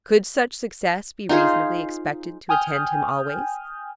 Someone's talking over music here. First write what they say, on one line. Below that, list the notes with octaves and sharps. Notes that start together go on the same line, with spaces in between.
Could such success be reasonably expected to attend him always?
D#4 F4 G#4 C5
G5 G#5 D#6 F6 G6